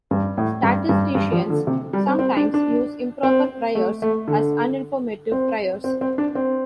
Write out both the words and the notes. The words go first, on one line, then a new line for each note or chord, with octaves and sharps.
Statisticians sometimes use improper priors as uninformative priors.
G2
A2
G2
G2
G2
F3
D3
C3
G3
C4
C4
D4
D4
C4
A3
A3
D3
C4
C4
C4
D4
C4